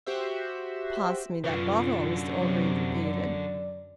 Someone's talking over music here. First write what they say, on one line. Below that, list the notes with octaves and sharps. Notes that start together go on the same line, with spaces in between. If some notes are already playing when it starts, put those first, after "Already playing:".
"Pass me that bottle," Mr Orgreave repeated.
F#4 G4 C5 E5
F#2 D3 C#4 F4 B4
C3 F#3
D5